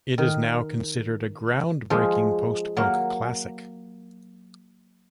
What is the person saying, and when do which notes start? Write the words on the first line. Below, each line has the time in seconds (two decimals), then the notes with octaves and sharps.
It is now considered a groundbreaking post-punk classic.
0.18 D#3
1.90 F3 G#3
2.77 F#3 A#3